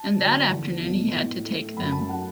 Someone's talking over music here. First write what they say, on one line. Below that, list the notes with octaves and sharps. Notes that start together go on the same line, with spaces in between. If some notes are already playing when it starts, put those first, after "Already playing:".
And that afternoon he had to take them.
Already playing: A5
D3 F#3
E2
B2 F#3 A3
A2
A3
F#2 B5
A5
F#3 A3 F#5